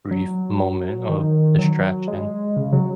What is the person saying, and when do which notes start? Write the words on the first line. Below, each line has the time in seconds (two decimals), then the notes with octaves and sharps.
brief moment of distraction.
0.11 F#3
1.09 D#3
1.59 F#3
2.08 G#3
2.57 C#3
2.72 F#3